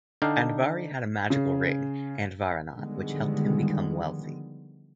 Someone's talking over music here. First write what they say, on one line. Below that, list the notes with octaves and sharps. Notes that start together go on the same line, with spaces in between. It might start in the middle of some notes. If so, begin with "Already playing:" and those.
Andvari had a magical ring Andvaranaut, which helped him become wealthy.
D3 D4 D#4 F5 G5
C#3
D3 D#3 F3 G3 G#3 B3